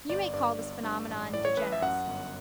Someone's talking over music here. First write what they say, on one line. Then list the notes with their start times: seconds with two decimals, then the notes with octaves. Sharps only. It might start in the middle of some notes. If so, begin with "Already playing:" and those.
You may call this phenomenon degeneracy.
0.09 G1 D5
0.34 G2 D5
0.58 G1
0.83 G2
1.08 A1
1.34 A2 D5
1.45 C#5
1.57 A1 B4
1.72 E5
1.82 F#2 F#5
2.07 G1